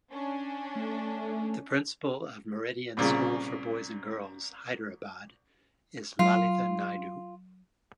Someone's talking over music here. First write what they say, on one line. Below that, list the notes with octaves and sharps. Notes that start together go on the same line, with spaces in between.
The Principal of Meridian School for Boys and Girls, Hyderabad is Lalitha Naidu.
C#4 D4
A3
C2 A#2 C#3
F#3 F4